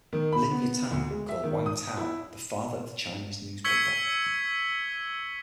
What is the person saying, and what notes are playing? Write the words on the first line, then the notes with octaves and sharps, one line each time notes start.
Lin Yutang called Wang Tao the 'Father of the Chinese Newspaper'.
D#3
B5
B3
D2
G#3
E5
D#3
D#6
E4
C#6 E6 G#6 B6 C#7 G7